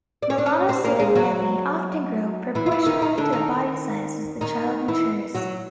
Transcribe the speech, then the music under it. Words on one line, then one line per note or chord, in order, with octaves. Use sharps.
Melanocytic Nevi often grow proportionally to the body size as the child matures.
D5
C#5
D4 D5
C#4 C#5
C4 C5
A#3 A#4
G#3 G#4
F#3 F#4
E3 E4
F4
E3 E4
D#3 D#4
D#3 D#4
D3 D4
D#3 D#4
D#3 D#4
E3 E4
F#3 F#4